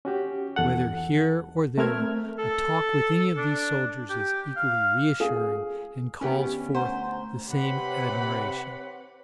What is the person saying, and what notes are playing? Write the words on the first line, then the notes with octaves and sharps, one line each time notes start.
Whether here or there, a talk with any of these soldiers is equally reassuring, and calls forth the same admiration.
C#4 F#4 G4
E2 A4 F#5
A3 C4 A#4 E5 F6 G#6
A4
D4
G4
F5
G#4 F5 G#5
D2 B3 C#4 G4
C5 F#5 A#5
C3 C4 G4 B4 C#5 F#5 B5